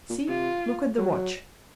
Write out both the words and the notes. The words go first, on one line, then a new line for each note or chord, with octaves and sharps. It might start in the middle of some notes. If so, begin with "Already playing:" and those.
See, look at the watch.
A#2
C3 F4
F#3